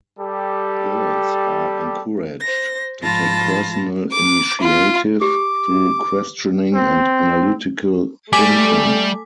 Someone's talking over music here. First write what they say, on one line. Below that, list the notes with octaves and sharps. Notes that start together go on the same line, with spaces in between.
Girls are encouraged to take personal initiative through questioning and analytical thinking.
G3 G4 A4
C5 A#6
G#2 F3 F4 A5 B5 A#6
D6
F4
G4 D6
C4
G3 A3 G#5 D6 B6